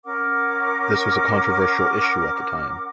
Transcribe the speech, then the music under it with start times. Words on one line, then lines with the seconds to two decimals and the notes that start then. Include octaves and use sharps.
This was a controversial issue at the time.
0.05 C#4 A#4 F#5 D6